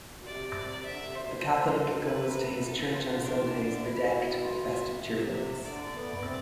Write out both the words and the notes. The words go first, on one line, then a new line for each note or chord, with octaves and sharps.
The Catholic goes to his church on Sundays bedecked with festive cheerfulness.
B2
C3 D5
C3
D3 E5
C3
B2 C5
B2
C3
B2
C3 B4
C3
D3 A4
E3
D3
E3 F4
D3
E3 D4
D3
C3
B2 E4
F4
E5
C3 E5
D3 D5
B3
A3
B3
C4